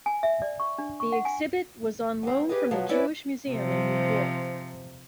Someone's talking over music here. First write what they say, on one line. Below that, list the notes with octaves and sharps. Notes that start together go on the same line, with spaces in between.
The exhibit was on loan from the Jewish Museum in New York.
G#5
E5
D5
C#6
D4
C#6
F#5
G#5
E2 C4
G4 G#4 B4 D5 D#5
B2 F3 F#3
C#4 E4 B4 D5
C3 F3